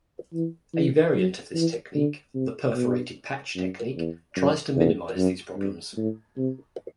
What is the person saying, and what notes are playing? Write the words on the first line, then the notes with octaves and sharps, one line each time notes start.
A variant of this technique, the "perforated patch" technique, tries to minimise these problems.
E3
E3
F#3
E3
D3
C3
B2
F#2
E2
F#2
E2
F#2
G2
A2
C3